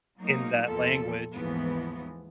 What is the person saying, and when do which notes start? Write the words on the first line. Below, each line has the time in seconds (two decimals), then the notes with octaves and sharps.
in that language.
0.21 F#3 G#3 A#3 D#4
0.66 E2 A#2 F3 A4
1.35 D#2 G#2 E3 F3 B3